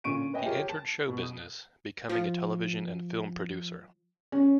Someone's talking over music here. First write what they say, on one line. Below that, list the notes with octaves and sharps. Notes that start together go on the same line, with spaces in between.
He entered show business, becoming a television and film producer.
A#2 D3 C#4 C#6 D7 D#7
B4 C#5 D#5 E5 G5 G#5
F4 G4 G#4 A#4 C#5 G5
A5
B2
D#6
F3
C#4